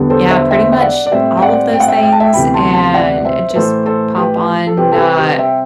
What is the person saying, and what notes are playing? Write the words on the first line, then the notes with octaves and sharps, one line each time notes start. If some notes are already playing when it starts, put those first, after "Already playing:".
Yeah, pretty much all of those things, and it just pop on, uh,
Already playing: E2 D3 G3 B3
A4 C5
C5 E5
C5 E5
E5
D5 F#5
D5
A2 G3 C4 C5 E5
G5
D5 F#5
G5
F#5
E5 G5
G5
A5
E5 G5
D2 C3 E3 B3 G5 B5
A5 C6
A5 C6
D5 F#5
C5 E5
B4
A2 E3 A3 A4 C5
A4 C5
G4 B4
A4
C3 G3 C4 G4 B4
A4
G4 B4
G4 B4
E5 G5